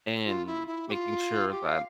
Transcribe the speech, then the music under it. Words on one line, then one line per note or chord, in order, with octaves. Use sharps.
and making sure that
F4
E4
E4
G4
F4
G4
F5